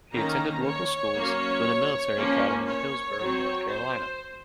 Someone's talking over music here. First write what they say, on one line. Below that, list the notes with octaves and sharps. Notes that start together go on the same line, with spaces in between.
He attended local schools, then a military academy in Hillsboro, North Carolina.
D#3 A#3 C#4 A#5
C#5
F#3 A#3 C#4
F3 A#3 C#4
C#5
F#3 C4
C5